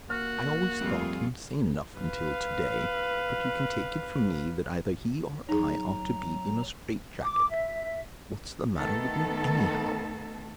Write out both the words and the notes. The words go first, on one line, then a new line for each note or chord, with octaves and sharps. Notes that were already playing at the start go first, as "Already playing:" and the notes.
I always thought him sane enough until today, but you can take it from me that either he or I ought to be in a straitjacket. What's the matter with me, anyhow?
A#3 F#4 F6
F2 G3 A3 F4 G#4
B4 F5
F#3 D#4 G#4 A#5
D6
E5
D#3 A3 B3 A4